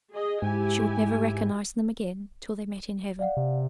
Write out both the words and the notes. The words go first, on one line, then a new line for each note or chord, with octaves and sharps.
She would never recognise them again, till they met in Heaven.
G#4 D#5
G#2 E4 G4 G#5
D5 F5 F#5
C3